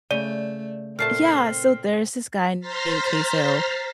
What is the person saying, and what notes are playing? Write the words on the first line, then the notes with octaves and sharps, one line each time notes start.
Yeah, so there's this guy named CaseOh
C#3 A3 D5
A#2 A3 C4 A5 F6 C7
C5 A#5 C6 F6 A6 B6